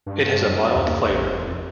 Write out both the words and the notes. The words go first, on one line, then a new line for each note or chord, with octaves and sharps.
It has a mild flavour.
G2
F#2
D#2
A1
F1